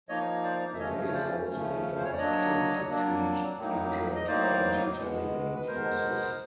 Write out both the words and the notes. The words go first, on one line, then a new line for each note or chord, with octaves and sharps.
The base also had a hospital to treat injured anti-Taliban forces.
F3 A#3 D#4 C#5 D#5
C5 D5
E5
C#3 F3 A3 C#4 C#5 D#5
C#5
C5 D5
C#3 F3 A3 C#4
C5
C#5
D5
F#3 A#3 D4 C#5 D#5
F#3 A#3 D4
A2 F#3 A#3 D#4
D#5
A2 F#3 A#3 D#4 C5 D5
B2 G#3 B3
B4
B2 G#3 B3 A#4 C5